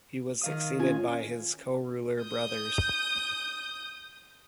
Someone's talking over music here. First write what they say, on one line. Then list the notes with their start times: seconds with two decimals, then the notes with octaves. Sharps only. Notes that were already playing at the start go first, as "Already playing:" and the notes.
He was succeeded by his co-ruler brothers.
0.41 D#3 F5 D#6
0.79 C#4 F4 G#5
2.24 D#6 G6